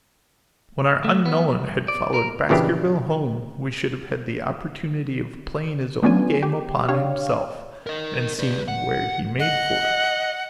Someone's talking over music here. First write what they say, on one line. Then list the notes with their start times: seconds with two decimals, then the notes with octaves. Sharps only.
When our unknown had followed Baskerville home we should have had the opportunity of playing his own game upon himself and seeing where he made for.
1.04 A3
1.26 B3
1.52 B1
1.67 G2
1.88 D5
2.14 A#4
2.49 A#2 C#3 E3 D4 G4
6.02 A3 B3 C#4 D4 F4 G#5
6.43 G4
6.89 D4 G4 C#5 F5
7.87 A#4 D#5
8.39 B4 D5
8.68 F#5
9.40 D#5 F#5